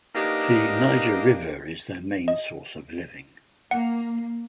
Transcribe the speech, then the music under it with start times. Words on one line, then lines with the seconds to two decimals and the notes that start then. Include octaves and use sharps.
The Niger River is their main source of living.
0.15 A#3 B3 D4 D#4 G4
2.28 D#5
3.71 A#3 F#5